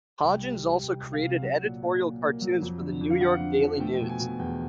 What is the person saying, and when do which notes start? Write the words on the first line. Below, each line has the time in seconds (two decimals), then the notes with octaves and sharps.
Hodgins also created editorial cartoons for the New York Daily News.
0.23 C2 G5
0.43 G3
0.64 G3
0.83 C2 G5
1.02 C2
1.13 F5
1.23 C3
1.42 F#3 F#5
1.62 A#2
1.82 A#2
2.02 A#2
2.21 A#3
2.42 F#3
2.62 F2
2.81 D3
3.01 F2
3.10 F5
3.21 F2 F#5
3.40 D3
3.60 F3
3.80 A3 G5
3.95 G5
4.00 B2
4.09 G#5
4.20 B2
4.39 E2 G5